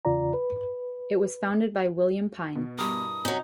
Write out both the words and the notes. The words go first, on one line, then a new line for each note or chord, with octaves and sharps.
It was founded by William Pine.
E2 C#3 F4 D5 A#5
B4
B2
G2 E4 A#4 D#6
C3 F#3 C#4 D#4